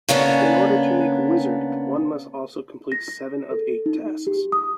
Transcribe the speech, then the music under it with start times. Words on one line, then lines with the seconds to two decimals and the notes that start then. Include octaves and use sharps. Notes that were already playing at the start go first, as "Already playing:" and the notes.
In order to make Wizard, one must also complete seven of eight tasks.
0.09 C#3 A#3 B3 C#4 D4
2.92 A#6
3.51 A4
3.86 D#4
4.27 G4
4.52 D#6